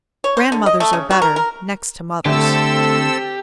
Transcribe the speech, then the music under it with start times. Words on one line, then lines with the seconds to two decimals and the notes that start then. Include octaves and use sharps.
Grandmothers are better, next to mothers.
0.24 C#5
0.37 C5
0.52 D3
0.66 D#5
0.80 A3
0.93 C#3
1.10 F#4
1.22 A#4
1.36 A#4
2.26 D3 A3 C4 G4 A4 E6